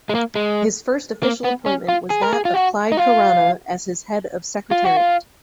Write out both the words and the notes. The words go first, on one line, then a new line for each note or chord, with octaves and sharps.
His first official appointment was that of Clyde Caruana as his Head of Secretariat.
G#3
A#3
G#3
A#3
B3
C#4
F4
G#4
A#4
G#4
F4
F#4
D#4
F4
F4
F#4
F4